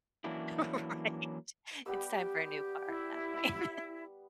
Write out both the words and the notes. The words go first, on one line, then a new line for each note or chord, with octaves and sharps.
Right. It's time for a new car at that point.
E3 F#3 A#3 C#4 D4 E4
G3 B3 G4 E6
E4